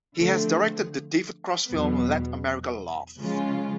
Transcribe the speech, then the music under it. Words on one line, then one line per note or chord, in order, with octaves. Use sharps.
He directed the David Cross film "Let America Laugh".
D3 F3 A3 C4
E2 B2 F#3 B3
C#3 F3 G#3 C#4 F4